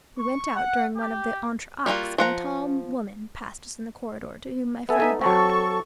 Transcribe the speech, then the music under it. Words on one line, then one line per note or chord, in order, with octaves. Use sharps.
We went out during one of the entr'actes, and a tall woman passed us in the corridor, to whom my friend bowed.
C#6
F#5
G4
G3 A#3 B3 F4 F#4
F3 F#5 A#5
B3 A4 E5 G#5
B3 D#4 A4
F#3 C4 A4 C#6